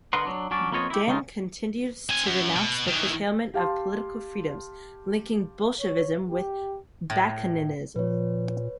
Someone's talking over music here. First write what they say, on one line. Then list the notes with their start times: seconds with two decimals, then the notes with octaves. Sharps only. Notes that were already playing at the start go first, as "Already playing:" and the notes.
Dan continued to denounce the curtailment of political freedoms, linking Bolshevism with Bakuninism.
0.13 D3 A#4 B4 D#5 F#5 C6
0.25 F#3 D4
0.51 F#3 C#4 D4
0.71 F2 A#3 B3 F4 C#5 D#5
0.90 E4 G4
1.07 C#3 G#3 A3 D#4 F4
2.09 C4 G#5
2.27 F#2
2.56 B2
2.88 D#3 E3
3.54 G4 F5 A5 C6
5.80 C#5
6.29 G4
7.10 A2
7.96 A#2 F3 B4 C#5